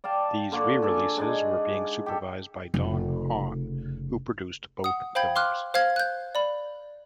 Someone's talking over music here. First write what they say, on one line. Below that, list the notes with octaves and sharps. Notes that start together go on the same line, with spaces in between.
These re-releases were being supervised by Don Hahn, who produced both films.
D5 F5 G5 A5
D3 A#3 F4 F#4
G#4 A4 D5
G#3 D4 D#4 G#4
G4 A4
F1 C#3
F#5 D#6
C5 F5 G5 B5 G6 G#6
F5 C6 D6 F6 F#6
C5 F5 F6 G#6
F#6 G6
D5 B5